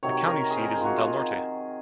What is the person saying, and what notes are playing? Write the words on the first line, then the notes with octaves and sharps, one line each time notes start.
The county seat is Del Norte.
C3 D#3 F#3 C#5
A#4
G#4
A#4 C5
G#4
F4 F#4
F4
F4